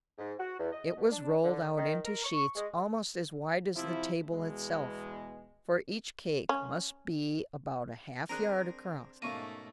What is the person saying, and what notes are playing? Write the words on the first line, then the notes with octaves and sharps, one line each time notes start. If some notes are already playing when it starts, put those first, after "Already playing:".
It was rolled out into sheets almost as wide as the table itself, for each cake must be about a half-yard across.
G#2
F#4
E2
D#5
B2
D4
D3
D#3
A#4
C#6
G#3
C3 F3 E4
E2 B2 G#3
C#4
C4 D4 G#4 A#4 A#5 F#6
G#2 B2 A3 A#3 C#4 F5 C#6 D#7